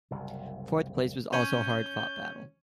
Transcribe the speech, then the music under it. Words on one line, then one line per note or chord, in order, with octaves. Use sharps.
Fourth place was also a hard fought battle.
F#1 C2 C3
C#4 G6